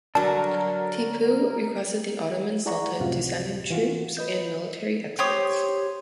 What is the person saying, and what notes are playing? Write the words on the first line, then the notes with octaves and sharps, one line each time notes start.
Tipu requested the Ottoman sultan to send him troops and military experts.
D3 F#3 D4 A#4 A5
E4 G#4 D5 F#5 A#5 C#6
C#2 F#2 A2 C3 F4 F#4
E3 F4 F#4
B4 D#5 G6
G4 C5 C#5 D#6